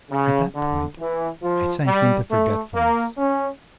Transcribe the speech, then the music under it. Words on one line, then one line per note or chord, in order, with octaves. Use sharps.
At that point I sank into forgetfulness.
C#3
D3
E3
F3
G3
A3
A#3
C#4